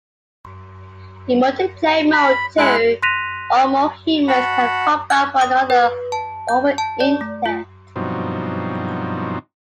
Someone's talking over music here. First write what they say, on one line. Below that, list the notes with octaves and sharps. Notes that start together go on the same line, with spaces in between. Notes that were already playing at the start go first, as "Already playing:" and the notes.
In Multiplayer mode two or more humans can combat one another over the Internet.
B5
G#3 E4 F#6
C6 F#6 A#6 B6 D#7 F7
F#4 F#5 A5 B5
F#6
D#6
B4
A5
G6
A5
D5
A3
F4
G2 B2 F3 F#3 C4 D#4